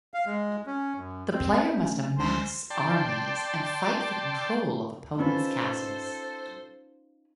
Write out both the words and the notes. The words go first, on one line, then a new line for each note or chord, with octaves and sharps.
The player must amass armies and fight for control of opponents' castles.
F5
G#3
C#4
F#2
C4
F#3 A3 C#4 D4
D2 G#3 C5
D5 G5 A5 C6
C#4 D#4 F4 A4 B4 C5